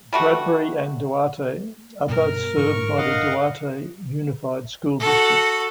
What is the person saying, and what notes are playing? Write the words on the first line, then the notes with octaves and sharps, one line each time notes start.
Bradbury and Duarte are both served by the Duarte Unified School District.
G3 A3 F#4
G2 B2 A#4
G#2 D3 E3 C#6
G1 D3 D#5 F5 F#5
F#4 A4